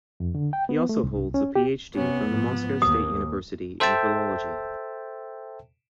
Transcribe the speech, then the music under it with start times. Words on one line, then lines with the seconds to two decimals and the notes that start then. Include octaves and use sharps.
He also holds a Ph.D from the Moscow State University in philology.
0.20 F2
0.35 D3
0.53 G5
0.69 B3
0.89 A3
1.04 C2
1.34 C#4
1.55 G4
1.95 C3 B3 C#4
2.28 G#2 F3
2.82 D#2 A#3 D#6
3.80 A4 C5 E5 G5 A5